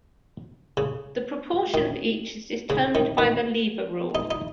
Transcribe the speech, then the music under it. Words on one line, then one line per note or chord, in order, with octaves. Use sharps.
The proportion of each is determined by the lever rule.
C#3
D#3
C#3
D#3
D#3
D#4
D#4